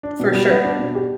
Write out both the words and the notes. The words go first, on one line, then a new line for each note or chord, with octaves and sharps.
For sure.
D4
B2
G3
B3
D4
B2
G4